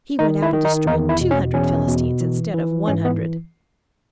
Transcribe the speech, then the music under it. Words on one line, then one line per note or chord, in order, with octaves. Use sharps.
"He went out and destroyed two hundred Philistines, instead of one hundred."
D#3 D#4
E4
D#3
D#4
E2 D#4
E4
B2
C#4
E2 C#4
B2
E3
E3
G#2 C#4
B3